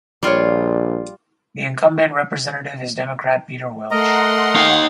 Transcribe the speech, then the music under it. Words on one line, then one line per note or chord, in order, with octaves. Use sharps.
The incumbent representative is Democrat Peter Welch.
A#1 G3 F4 C#5 D5
A3 A#4 D#5 F#5 A#5 C6
D#4 F5